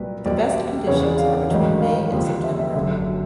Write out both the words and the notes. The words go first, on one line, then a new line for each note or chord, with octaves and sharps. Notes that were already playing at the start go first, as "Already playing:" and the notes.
The best conditions are between May and September.
Already playing: C2 A#2 F#3 B4
D#2 D#3 F#3 D5
E2 C#3 E3 C#5
D5
F5
A1 G#2 D#3 F#3
F5
D#2 D3 F3
E5
E5
F#1 F#2 D3 F#3 E5